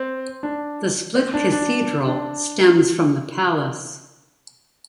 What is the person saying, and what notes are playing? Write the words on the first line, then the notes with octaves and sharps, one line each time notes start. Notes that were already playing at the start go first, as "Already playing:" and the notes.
The Split Cathedral stems from the palace.
Already playing: C4
D4
C4
D4
D4
D4